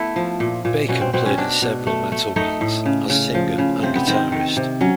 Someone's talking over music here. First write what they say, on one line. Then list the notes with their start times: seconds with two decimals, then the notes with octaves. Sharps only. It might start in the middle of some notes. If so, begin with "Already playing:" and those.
Bacon played in several metal bands, as singer and guitarist.
Already playing: A3 B3 E4
0.16 F3
0.40 A#2
0.65 A#2
0.89 B2 C#4
1.01 C4
1.13 B2 C4
1.26 C#4
1.38 B2 D4
1.62 B2
1.87 A3
2.12 A3
2.36 A3 D#4
2.61 A2
2.86 C#3
3.10 C#3
3.35 F3
3.58 C#3
3.83 C3 C4
3.96 B3
4.07 D#3 C4
4.32 D#3
4.57 C3
4.81 F#3 C#4